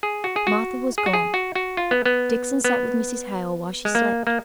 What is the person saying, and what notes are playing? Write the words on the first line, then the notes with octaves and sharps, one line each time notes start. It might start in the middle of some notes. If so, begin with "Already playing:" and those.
Martha was gone. Dixon sat with Mrs. Hale while she slept.
G#4
F#4
G#4
F#4
G#4
F#4
G#4
F#4
F#4
F4
B3
B3
B3
G#3
A#3
A#3